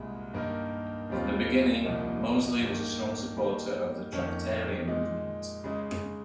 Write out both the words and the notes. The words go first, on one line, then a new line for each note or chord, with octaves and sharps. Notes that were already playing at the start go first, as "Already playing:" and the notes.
From the beginning, Mozley was a strong supporter of the Tractarian movement.
Already playing: C2 A#2 G#3
G2 D#3 A#3 D#4 A#4
D#2 D#3 G3 C4 F4
C2 A#2 F3 A#3 D#4
G2 D#3 A#3
D#3 G3 A#3
F2 D#3 A#3 C#4
A#2 G#3 D#4
C#3 G#3 D#4